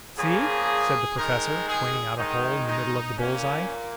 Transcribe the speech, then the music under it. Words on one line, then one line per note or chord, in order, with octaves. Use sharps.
"See!" said the Professor, pointing out a hole in the middle of the bull's-eye.
C#3 F3 A#3 G#4
D#3 G#3 A#4
G#4
D#3 G#3 D#4
D#4
A#2 A#3 C#4